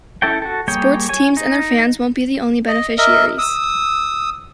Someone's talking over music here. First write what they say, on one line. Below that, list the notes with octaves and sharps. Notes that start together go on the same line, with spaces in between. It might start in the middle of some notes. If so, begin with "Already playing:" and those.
Sports teams and their fans won't be the only beneficiaries.
C#4 E4 A4 C#5 G5
F#4 A4
G3 A#3 G#4 C#5 G5
C#5 G#5 C#6
D#4
D#5
A#4 D#5 E5
D#6 E6